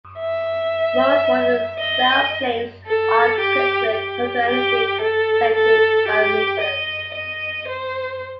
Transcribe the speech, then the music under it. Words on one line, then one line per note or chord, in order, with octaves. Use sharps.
Most modern sailplanes are equipped with "Total Energy compensated" variometers.
E5
D#5
A4
G4
G4
G4
A4
A4
G4
D#5
D#5
C5